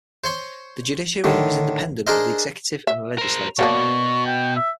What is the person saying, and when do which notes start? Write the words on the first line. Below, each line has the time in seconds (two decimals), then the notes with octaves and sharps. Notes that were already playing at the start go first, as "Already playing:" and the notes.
The Judiciary was independent of the executive and the legislature.
0.24 C5 C#5 C6
1.24 A2 D3 D#3
2.07 D4 G#4 A#4 C5 D#5
2.87 E5
3.18 A#4 C5
3.59 B2 F#3 A#3 D4 C#6
4.26 G5
4.56 E5